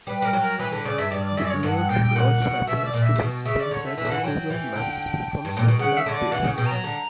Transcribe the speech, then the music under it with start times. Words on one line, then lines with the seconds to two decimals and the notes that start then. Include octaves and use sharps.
The imagery also appears to be censored on google maps from satellite view.
0.07 G3 B4
0.19 B4
0.22 G3 A#4
0.33 F#3
0.41 A#4
0.59 E3 B4
0.72 D3 B4
0.85 C#3 D5
0.98 G2 E5
1.11 G2 D5
1.24 D5
1.37 F#2 E5
1.44 D5
1.50 C#5
1.63 G2 F#5
1.76 F#5
1.89 A#2 G5
2.02 G5
2.16 A#2 F#5
2.41 B2
2.67 B2 E5
2.77 E5
2.85 D5
2.94 A#2
3.02 E5
3.16 C#3
3.19 B2
3.45 C#3 E5
3.60 D5
3.71 D3 C#5
3.85 E5
3.97 E3 E5
4.05 D3
4.10 E3 F#5
4.24 F#3 G5
4.50 E3
4.76 D3
5.45 G2
5.57 A#2
5.68 B2
5.79 C#3 F#5
5.97 E5
6.06 D3 C#5
6.14 D5
6.32 E3 F#5
6.44 C#3
6.55 B2 G5
6.66 F#3 A#5
6.84 D3